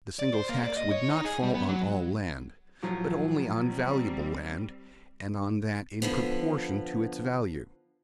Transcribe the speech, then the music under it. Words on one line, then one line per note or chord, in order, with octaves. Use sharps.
The single tax would not fall on all land, but only on valuable land, and on that in proportion to its value.
D5
C5
A#3
D5
D#5
C#5
D#4
G#4
G3
B3
F#3
A2 F3 F#3
G3 C4
D3 F3 B3